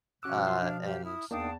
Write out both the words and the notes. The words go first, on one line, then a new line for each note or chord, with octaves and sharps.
uh, and
B2 F3 C#4 F#4 D6 E6 F#6
F4 E5 C6
D4 F5 F6
G4 F5
E4 D#6
E2 A#3 D4 D#4 F5 G5 A5 D#6